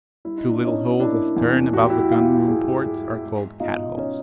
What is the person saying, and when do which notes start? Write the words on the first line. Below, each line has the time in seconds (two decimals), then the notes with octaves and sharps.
Two little holes astern, above the Gun-room ports, are called Cat-holes.
0.25 G3 E4
0.38 D#4
0.51 D4
0.62 B2 C#4 D#4
1.00 A#3 D4 E4
1.36 E2
1.73 A3 F#4
1.81 G4
1.89 E4 F#4
2.11 E3 F4 G4
2.48 G#2 F#4 G#4
2.86 G#2 F#4 G#4
3.23 G#3
3.60 B2 D#4 F4
3.97 C#4 D#4